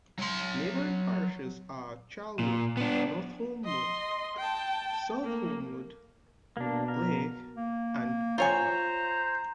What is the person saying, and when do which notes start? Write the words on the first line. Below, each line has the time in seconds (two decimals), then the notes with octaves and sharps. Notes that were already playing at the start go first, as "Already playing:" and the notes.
Neighbouring parishes are Charlwood, North Holmwood, South Holmwood, Leigh and Capel.
0.19 F#3 C6
2.39 A#2
2.77 B3 D4
3.65 D#5 C6
4.37 G5 A5
5.23 A3 A#3
6.57 B2 A#3 D4
6.88 A#4
7.56 A#3
8.38 F4 C5 C#5 G#5 A#5